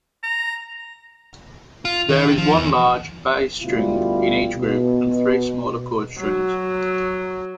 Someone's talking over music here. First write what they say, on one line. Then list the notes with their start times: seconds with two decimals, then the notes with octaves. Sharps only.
There is one large bass string in each group and three smaller chord strings.
0.23 A#5
1.85 F4
2.09 D#3
2.38 F3
2.53 E2
3.62 D2 B2 G3 E4 F4
4.55 B2
6.18 F#3